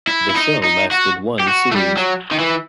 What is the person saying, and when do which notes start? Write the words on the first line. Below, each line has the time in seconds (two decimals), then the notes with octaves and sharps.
The show lasted one series.
0.07 E4
0.30 E4
0.35 D#4
0.63 D#4
0.91 F#4
1.40 G4
1.48 F#4
1.71 A3
1.76 G3
1.97 F#3
2.31 D#3
2.39 E3